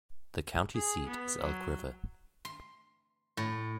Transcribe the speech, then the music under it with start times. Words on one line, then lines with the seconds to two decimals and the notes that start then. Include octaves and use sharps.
The county seat is Elk River.
0.75 G#4
1.07 B3
1.42 F#3
2.45 C6
3.37 A2